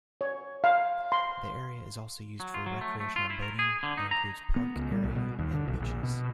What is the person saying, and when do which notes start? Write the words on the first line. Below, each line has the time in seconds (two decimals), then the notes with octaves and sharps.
The area is also used for recreational boating and includes park area and beaches.
0.21 C#5
0.64 F5
1.12 C6
2.40 F#3
2.54 F4
2.66 F#3
2.81 A3
3.00 A3
3.16 F4
3.30 E4
3.42 A#4
3.59 G#4
3.83 D3
3.97 D#4
4.11 A#5
4.56 B3
4.76 C#2
4.91 G3
5.04 B1
5.15 B2
5.39 D#2
5.53 D3
5.68 B1
5.80 A#1
6.03 B2